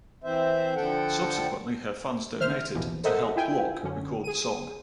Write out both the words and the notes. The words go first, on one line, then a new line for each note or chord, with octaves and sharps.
Subsequently her fans donated to help Block record the song.
E3 C4 C5 E5
D3 F3 A4 F#5 G5
D#3 C5 E5 F6
A1 D#2 B2 E3 F3
A4 A#4 C5 D#5 E5 F#5
E4 F4 E5 G5 G#5
F#2 D3 C#4
G#4 D#7